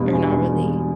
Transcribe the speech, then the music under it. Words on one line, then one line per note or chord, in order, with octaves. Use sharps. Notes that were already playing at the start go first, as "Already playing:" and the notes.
Or, not really?
Already playing: E1 G2 B2
E2
E1